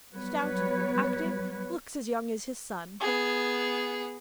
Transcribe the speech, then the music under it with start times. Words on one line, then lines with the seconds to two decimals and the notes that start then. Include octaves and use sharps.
Stout, active--looks as young as his son.
0.12 F#3 G3 B3 B4 C#5
3.00 B3 G#4